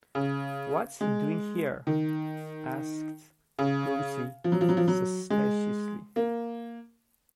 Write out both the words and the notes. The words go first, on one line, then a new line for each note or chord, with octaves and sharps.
'What's he doing here?' asked Gussie suspiciously.
C#3
G#3
D#3
C#3
F3
F#3
F3
F#3
F3
F#3
G#3
A#3